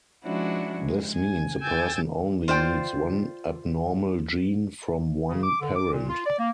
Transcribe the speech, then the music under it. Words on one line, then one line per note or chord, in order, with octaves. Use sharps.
This means a person only needs one abnormal gene from one parent.
F3 G#3 C#4 D4 E4 F#4
G#3
G#5
G5 G#5 E6 G6 A6
F4 C5 D5 G5
C#3
D6
D3
D6
A#2
F4
D5
A#3